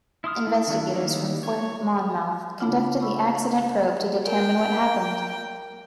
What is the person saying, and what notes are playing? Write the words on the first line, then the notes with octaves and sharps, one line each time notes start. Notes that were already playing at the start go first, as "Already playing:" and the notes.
Investigators from Fort Monmouth conducted the accident probe to determine what happened.
E4 C6 D#6 F6
A3 E4
D#3 A3 D4 E4
D#3 E3 G3 A#3
C#5
C#3 A3 B3 D4 E4 F4
B5 C#6 E6
A#4 G5